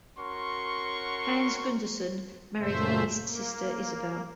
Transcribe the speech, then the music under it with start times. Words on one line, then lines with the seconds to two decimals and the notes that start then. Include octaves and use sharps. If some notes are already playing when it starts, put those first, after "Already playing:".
Hans Gunderson married Lee's sister Isabel.
0.18 C#4 F#4 A#4 C6 C#6
2.58 F#2 A#2 C#3 A3 C5 E5
3.19 A#3